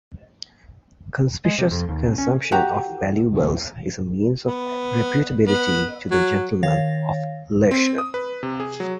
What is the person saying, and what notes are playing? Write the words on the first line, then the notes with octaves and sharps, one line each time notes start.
Conspicuous consumption of valuables is a means of reputability to the gentleman of leisure.
G#3
C3
F2
D#2
C2
C#4
F#4 G4 A#5
B3
B3
F#3
D#3 C#5 F5 A6 A#6
C4
D#6
B4
C3
G#4
F#3